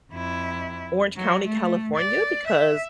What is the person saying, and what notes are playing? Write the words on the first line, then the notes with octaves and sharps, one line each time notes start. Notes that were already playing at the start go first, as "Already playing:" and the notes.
Orange County, California, because
F2 E4
F#3
A3
D5
E5